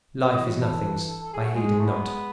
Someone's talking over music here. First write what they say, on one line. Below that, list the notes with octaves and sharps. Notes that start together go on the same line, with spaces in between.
Life is nothings; I heed him not.
E5
E3 D#5
C#5
A4
A4
G#4
F#4
G#3 G#4
A3
B3